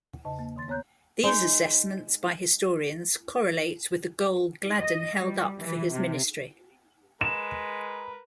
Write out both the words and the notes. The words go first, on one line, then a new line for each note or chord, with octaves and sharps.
These assessments by historians correlate with the goal Gladden held up for his ministry.
E2 C#3 D#5 A5
A#3
D#2 D#3 C6 A6
B3 C#5 A#5 F#6 G6
G#3 D#4
D#5
G3
E3
C3
G#3 A#4 B4 E7